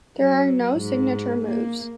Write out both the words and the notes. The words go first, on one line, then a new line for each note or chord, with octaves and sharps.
There are no signature moves.
F#3
G#2
A#3